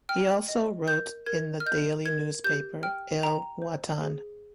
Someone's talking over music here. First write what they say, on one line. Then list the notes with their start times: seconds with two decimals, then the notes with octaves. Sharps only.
He also wrote in the daily newspaper "El Watan".
0.09 G5 F6
0.48 D#5
0.87 A#4 G6
1.26 A#4 G#6
1.60 F6
1.66 D#5 G6
2.05 A#4 G#6
2.44 G4 G6
2.83 G5 F6
3.23 G5 A#5
3.62 C5
4.01 G#4